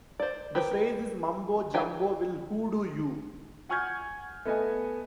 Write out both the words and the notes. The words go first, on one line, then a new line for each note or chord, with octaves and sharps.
The phrase is "Mumbo Jumbo will hoodoo you".
C5 D5
G4 A#4 B4
G4 A#4 C#5 F5 G#5
F#5 G#5 C#6 F6 G6 G#6
A3 B3 D#5 G#5